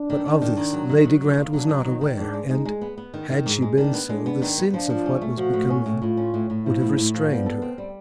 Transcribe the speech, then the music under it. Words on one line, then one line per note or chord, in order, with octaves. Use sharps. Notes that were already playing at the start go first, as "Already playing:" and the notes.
But of this Lady Grant was not aware, and, had she been so, the sense of what was becoming would have restrained her.
Already playing: D4
D#3
D#3
D#3
D#3
F#3
D#3
F#3
D#3
A#3
F#3 D4
F#3
D#3 D#4
D#3
G#2 D4
G#3
G#3 D#4
G#3
B3
B3
D#3
D#3
G#2
G#3
D#3 D4
B3
G#3 D4
B3
D#3
B3
F3 D4
F3
C#4
A3
F3 F#4
A2
C#4
A2
A2 F4
C#4
A2
A2
F3 E4
A2
A2
F3
G3 B3
A4
C4
G3